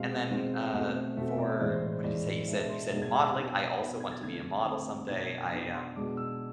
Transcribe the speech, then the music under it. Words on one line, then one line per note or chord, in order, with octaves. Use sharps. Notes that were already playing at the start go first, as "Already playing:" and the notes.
And then, uh, for what did you say? You said you said modeling, I also want to be a model someday. I, um
Already playing: B2 G#3 C4 F5
B2 G#3 C4
B2 A3 C4
B2 A3 C4 E5
E5
D5
D5
A2 E3 G#3 D5
C5
C5
A2 E3 G#3 D5
B2 G#3 D4 E5
C6
B2 G#3 D4 A6
G#6
E6
B2 B3 D4 C6
B2 B3 D4 B5
G#6
A6
D3 A3 C4 G#6
D3 A3 C4
B2 B3 D4 G#6
G#6
A6
B2 B3 D4
C6
B2 G#3 D4 D6
E6